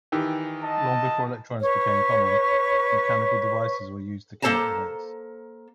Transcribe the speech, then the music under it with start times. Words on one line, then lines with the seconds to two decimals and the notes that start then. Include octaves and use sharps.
Long before electronics became common, mechanical devices were used to count events.
0.12 D#3 E3 G4
0.63 D#5 A5
1.62 B4 C#5 C#6
4.42 A#3 D#4 A4 C5 A5 A#5